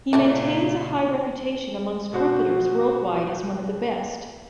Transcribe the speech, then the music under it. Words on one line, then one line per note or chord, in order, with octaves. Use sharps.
He maintains a high reputation amongst trumpeters worldwide as one of the best.
A#2 C#3 E3 A3 D4
B2 F#4 C5